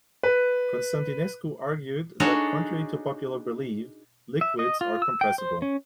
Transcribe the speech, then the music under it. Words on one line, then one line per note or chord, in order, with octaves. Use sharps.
Constantinescu argued that, contrary to popular belief, liquids are compressible.
B4
D4 D#4 F#4 G#4 A4 C#5
E5
D#5
F4
E6
G5
C5
C#4